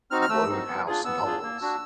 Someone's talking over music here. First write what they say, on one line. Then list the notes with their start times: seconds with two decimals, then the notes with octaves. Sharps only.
Wodehouse novels.
0.11 C4 D#4 F#4 F6
0.22 F6
0.29 A3 E6
0.49 C4 D#4 F#4
0.68 B3
0.87 D4 F4 G#4
1.05 B3 E6
1.24 D4 F4 G#4
1.43 A#3
1.61 D4 F#4